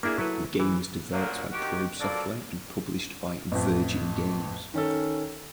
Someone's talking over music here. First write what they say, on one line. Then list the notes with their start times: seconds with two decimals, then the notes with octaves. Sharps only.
The game was developed by Probe Software and published by Virgin Games.
0.03 A#3 D4 E4 G#4 E5
0.18 F#3 E4 A4 B4
0.60 E3
1.12 A#2 D3 F3 F#3 A#3
1.52 D#3 F#4 G4
2.00 F3 F#3 A#3 A4 D5
3.52 A1 F2
4.74 D#3 C#4 A4